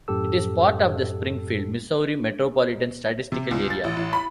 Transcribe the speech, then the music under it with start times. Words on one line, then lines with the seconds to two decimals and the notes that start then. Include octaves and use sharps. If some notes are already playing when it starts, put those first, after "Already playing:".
It is part of the Springfield, Missouri Metropolitan Statistical Area.
0.08 F#2 A2 G4 A4 E6
3.32 C3
3.51 C#2
3.70 A6
3.84 A1
3.97 A1
4.13 B5